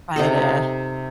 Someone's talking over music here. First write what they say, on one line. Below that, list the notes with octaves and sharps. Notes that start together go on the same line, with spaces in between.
but, uh
C3 D#4 A4